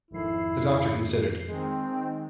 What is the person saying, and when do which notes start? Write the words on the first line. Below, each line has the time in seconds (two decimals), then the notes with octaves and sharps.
The doctor considered.
0.10 G#1 F2 E4 C7
1.47 D#3 G#3 C4